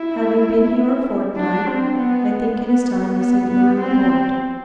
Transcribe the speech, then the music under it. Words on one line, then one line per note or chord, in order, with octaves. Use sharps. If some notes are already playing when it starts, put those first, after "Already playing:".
Having been here a fortnight, I think it is time I sent you a report.
Already playing: E4
D4
C4
B3
B3
B3
B3
C4